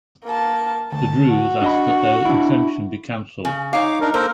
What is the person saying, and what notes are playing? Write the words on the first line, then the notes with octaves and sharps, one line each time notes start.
The Druze asked that their exemption be canceled.
A#3 A5
D2 A5
F#4
D4 D#5 B5
D4 E4
C#3
D#4 C#5 F5 D6
D4 D#4 A#4
A#3 A4 A#4 C5